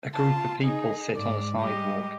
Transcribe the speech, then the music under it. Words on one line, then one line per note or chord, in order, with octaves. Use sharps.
A group of people sit on a sidewalk.
F4 A5
D#4 G#4
G#2 G#3 D5
G3 G#3 G4 D#5